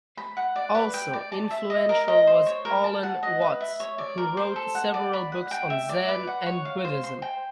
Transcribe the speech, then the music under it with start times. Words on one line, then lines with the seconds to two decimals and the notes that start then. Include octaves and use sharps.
Also influential was Alan Watts, who wrote several books on Zen and Buddhism.
0.17 B5
0.37 F#5
0.56 D5
0.75 B4
0.94 G5
1.13 D5
1.32 A5
1.51 E5
1.70 D#5
1.89 A#4
2.08 D#5
2.27 C5
2.46 C#5
2.65 A#4
2.84 A5
3.03 F#5
3.23 D#5
3.41 B4
3.61 E5
3.80 C#5
3.98 D5
4.18 A#4
4.37 C5
4.56 A4
4.75 F#5
4.94 D5
5.13 B5
5.32 F#5
5.51 G5
5.70 E5
5.89 D5
6.08 B4
6.27 F#5
6.46 C#5
6.65 F5
6.84 C5
7.04 C6
7.22 G5